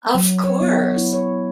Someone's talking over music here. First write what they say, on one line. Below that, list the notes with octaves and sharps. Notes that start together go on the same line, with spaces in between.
Of course.
F#3
C#5
B3
E4
C#5